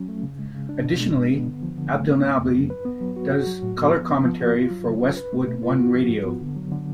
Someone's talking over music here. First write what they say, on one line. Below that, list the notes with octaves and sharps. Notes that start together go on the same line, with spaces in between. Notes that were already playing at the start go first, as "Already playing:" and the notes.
Additionally, Abdelnaby does color commentary for Westwood One Radio.
Already playing: F#3 C#4
A3
C#3
G#3
C#3
D4
B2
G#3
B2
B3
D3
F3
D3
A3
B3
C#3
F2
F#3
B4
B3
F#3
F#4
F#4
F#3
A2
B3
F3
B3
F3
F#4
F4
F#3
C#3
C#4
B4
A3
B2
F4
F#4
F3
G#2
B3
D3
F#3
D3